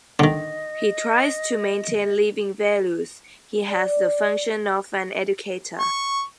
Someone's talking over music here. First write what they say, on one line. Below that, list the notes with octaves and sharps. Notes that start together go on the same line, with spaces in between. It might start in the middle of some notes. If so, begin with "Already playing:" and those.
He tries to maintain living values, he has the function of an educator.
D3 D#3 D#5
D5
C#6